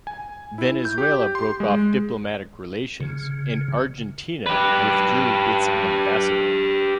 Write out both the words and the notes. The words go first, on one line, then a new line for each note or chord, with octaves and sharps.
Venezuela broke off diplomatic relations, and Argentina withdrew its ambassador.
G#5
E4
G6
G4
C6
G#3
C#3
G4 B4